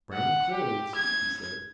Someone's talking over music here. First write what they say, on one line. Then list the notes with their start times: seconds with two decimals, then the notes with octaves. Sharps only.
"Brown clothes?" he said.
0.14 F#5
0.52 G4
0.95 G#6